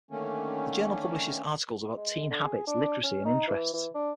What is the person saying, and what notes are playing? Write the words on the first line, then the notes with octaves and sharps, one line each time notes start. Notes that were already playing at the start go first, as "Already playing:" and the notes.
The journal publishes articles about teen habits, literacy, and interests.
D3 D#3 A3 A#3 C#4
G#3
D3
G#4
D4
C#4
D#4
E3
E3
D4